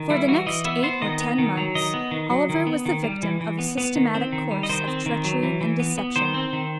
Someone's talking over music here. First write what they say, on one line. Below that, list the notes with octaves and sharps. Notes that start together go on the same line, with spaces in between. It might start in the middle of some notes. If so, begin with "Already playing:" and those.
For the next eight or ten months, Oliver was the victim of a systematic course of treachery and deception.
Already playing: D#3
G3 E4
E3 F#4
E3 D#5
B3 E5
B3 C5
D#3 D#5
B3
D#3
F#3
D#3 D#5
B3
D#3
F#3
D#3
B3
D#3
G3
E3
E3
B3
B3
D#3
C4
D#3
G3
D#5
D#3 C5
C4
D#3
F#3
E3
E3
B3
B3
D#3 C5
C4
D#3